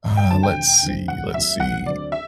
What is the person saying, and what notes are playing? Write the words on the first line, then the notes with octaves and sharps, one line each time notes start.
Uh, let's see, let's see.
E1
G5
D2 D3 F#3 C4 A5
G5
E1
D2 D3 F#3 C4
E1 F#5
D2 D3 F#3 C4 E5
E1 F#5
D2 D3 F#3 C4 D5
E5